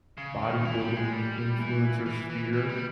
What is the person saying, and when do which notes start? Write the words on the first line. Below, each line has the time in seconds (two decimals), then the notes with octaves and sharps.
bodybuilding influencer sphere
0.18 C#3
0.42 D#3
0.65 E3
0.80 G3
0.97 G#3
1.12 G3
1.59 E3
2.06 E3
2.30 E3
2.53 E3
2.69 G3